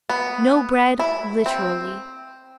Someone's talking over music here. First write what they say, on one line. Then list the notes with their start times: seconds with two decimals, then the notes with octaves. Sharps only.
No bread literally.
0.09 B3
1.00 E4
1.46 C4